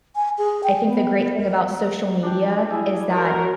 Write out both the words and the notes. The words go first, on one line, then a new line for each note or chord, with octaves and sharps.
I think the great thing about social media is that
G#5
G#4
G5
B3
A#4
D4 D5 G5
G3 E4 G#4
F#4 A#4 C#5